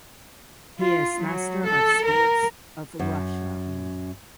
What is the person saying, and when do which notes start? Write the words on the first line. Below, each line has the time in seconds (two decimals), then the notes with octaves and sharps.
He is Master of Sports of Russia.
0.79 F4
1.22 F#3
1.65 A4
2.04 A#4
2.99 F#2